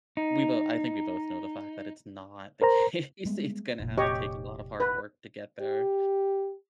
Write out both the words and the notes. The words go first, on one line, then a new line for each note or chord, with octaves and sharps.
we both I think we both know the fact that it's not the case. It's gonna have to take a lot of hard work to get there
D#4
A#4 C5 A#5
G3 G#3 B3
F1 A#2
G4 C#5 D#5
B4
G4